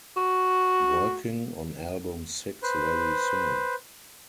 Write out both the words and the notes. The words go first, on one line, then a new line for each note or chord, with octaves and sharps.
Working on album six very soon.
F#4
B4 C5